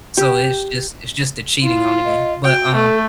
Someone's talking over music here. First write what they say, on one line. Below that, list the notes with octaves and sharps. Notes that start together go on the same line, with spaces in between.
So it's just it's just the cheating on the game. But, uh,
G4
E4 F4
D#5
F#4 G5
A3 A4